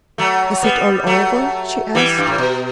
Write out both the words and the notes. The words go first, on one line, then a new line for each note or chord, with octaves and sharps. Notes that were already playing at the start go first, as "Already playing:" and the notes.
"Is it all over?" she asked.
F#3 A3
G3 B3
F#3 A3
E3 G3
G2
A2
B2